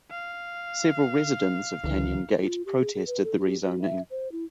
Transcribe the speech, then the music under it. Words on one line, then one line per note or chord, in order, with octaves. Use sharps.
Several residents of Canyon Gate protested the rezoning.
F5
C#2 D3 E3
F4
G4
G#4
G#4
B4
A4
G4
F#4
E5
C5
E4